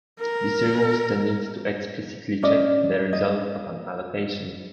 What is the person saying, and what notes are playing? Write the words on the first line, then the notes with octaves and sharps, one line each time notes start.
This removes the need to explicitly check the result of an allocation.
A#4
C#4 D5 D#5
D#5